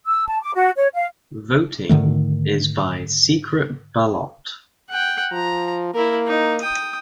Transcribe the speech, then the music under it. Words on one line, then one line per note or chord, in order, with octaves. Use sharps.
Voting is by secret ballot.
E6
A5
D6
F#4
C#5
F5
G#2 D3 D#3 A3
F#5 G5
F3 A#5
A#3 E4 A#4
D#4
G5 D#6